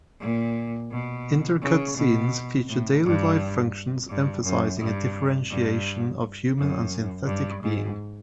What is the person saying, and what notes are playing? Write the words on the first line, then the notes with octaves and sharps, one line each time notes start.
Inter-cut scenes feature daily life functions, emphasizing a differentiation of human and synthetic being.
A#2
B2
C#3
B2
A2
G2
G2
F#2
G2
G2
F#2
G2
G#2